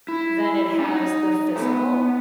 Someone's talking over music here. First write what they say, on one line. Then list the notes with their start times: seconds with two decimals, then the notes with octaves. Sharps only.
Than it has the physical.
0.08 E4
0.79 C#4
0.84 D#4
1.56 A3
1.61 B3